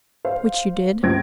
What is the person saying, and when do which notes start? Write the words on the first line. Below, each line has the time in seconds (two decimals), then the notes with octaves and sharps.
"Which you did?"
0.25 C5 F5
1.03 C#2 G2 C5 G#6 A#6 D7